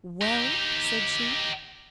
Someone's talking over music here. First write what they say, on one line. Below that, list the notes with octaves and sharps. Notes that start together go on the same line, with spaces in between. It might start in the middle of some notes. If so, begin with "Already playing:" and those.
"Well?" said she.
D#4 G4